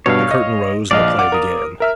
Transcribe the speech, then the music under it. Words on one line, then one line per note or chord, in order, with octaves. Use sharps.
The curtain rose and the play began.
G2 B2 C#5 F5
D#5
A#1 D5 D#5 F5
F#5 D6
A#4 D#6
A#4 E5 F6